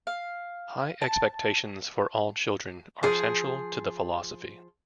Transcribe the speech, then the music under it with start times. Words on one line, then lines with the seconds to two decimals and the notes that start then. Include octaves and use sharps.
High expectations for all children are central to the philosophy.
0.07 F5
1.02 A5
3.03 F3 G#4